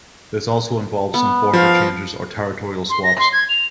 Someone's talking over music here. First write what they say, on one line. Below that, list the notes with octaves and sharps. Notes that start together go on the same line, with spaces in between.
This also involved some border changes or territorial swaps.
B3
F3 F5
C6
A#6
C6
G#6
F7